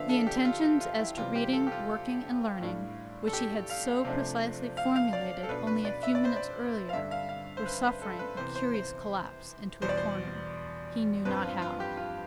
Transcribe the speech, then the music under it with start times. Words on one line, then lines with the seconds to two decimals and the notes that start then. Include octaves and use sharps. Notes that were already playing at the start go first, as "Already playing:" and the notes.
The intentions as to reading, working, and learning, which he had so precisely formulated only a few minutes earlier, were suffering a curious collapse into a corner, he knew not how.
Already playing: D3 F3 B3 D4 E5 F5
0.09 A4
0.27 G4
0.45 F4
0.63 F4
0.81 F4
0.99 E4
1.17 C3 E3 G3 B3 F4
1.35 G4
1.53 A4
1.67 G4
1.72 F4
2.61 A2 G3 D4
3.28 A4
3.33 G4
3.70 F5
4.05 C3 F3 A3 D4
4.77 F5
4.96 F5
5.13 D5
5.43 A4
5.49 B2 B3 D4 B4
5.67 B4
5.85 D5
6.03 E5
6.15 D5
6.25 C5
6.36 D5
6.89 F5
6.93 G2 D3 G3 E5
7.11 F5
7.29 F5
7.57 C5
7.66 B4
7.83 B4
8.02 A4
8.19 B4
8.37 C3 E3 B3 C5
8.56 C5
8.74 C5
9.82 E2 B2 G3 C5
9.89 D5
9.97 C5
11.25 G2 F3 C4 B4
11.44 F4
11.62 F4
11.80 G4
11.97 F4